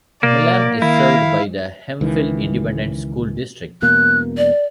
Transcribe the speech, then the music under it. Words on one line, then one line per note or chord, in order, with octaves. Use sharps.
Milam is served by the Hemphill Independent School District.
B2 A#3 D5
D#3 E4 F5
C#2 D#3 E3
E1 B2 A#3 F#6
D5